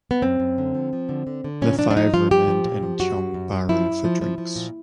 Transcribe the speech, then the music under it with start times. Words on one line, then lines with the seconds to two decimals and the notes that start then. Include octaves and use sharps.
The five remained in Tiong Bahru for drinks.
0.11 B3
0.22 F#2 C4
0.40 F#2
0.58 D3
0.75 F3
0.93 F3
1.09 D3
1.27 D3
1.44 D3
1.62 A#2 C#4
1.78 F3 D4
1.91 D4
1.96 F3 D#4
2.14 F3 F4
2.31 F3 G4
2.48 F3
2.65 A#2
2.83 F3
3.00 F#2 F#4
3.17 F#2
3.34 F#2
3.52 F#2
3.69 F3 E4
3.86 F#2
4.05 F3
4.21 F3
4.38 F3
4.56 A#2